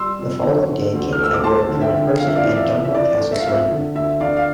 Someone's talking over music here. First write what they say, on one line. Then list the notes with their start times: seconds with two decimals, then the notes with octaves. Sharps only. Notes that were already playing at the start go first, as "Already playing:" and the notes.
The following day King Edward appeared in person and Dunbar castle surrendered.
Already playing: G3 C6 E6
0.18 F2
0.43 D3
0.68 D3
0.93 D2
1.12 F6
1.19 A3 E6
1.34 D6
1.43 D2 A5 C6
1.69 D3
1.81 E5 G5
1.94 D3
2.19 F2 F5
2.27 E5
2.36 D5 F5
2.44 E3
2.51 D5
2.56 E5
2.70 F2
2.85 E5
2.94 E3 D5
3.20 A3
3.32 E5
3.40 F5
3.45 F2 E5
3.71 D3
3.95 D2 E5
4.20 D3 D5 F5
4.37 F5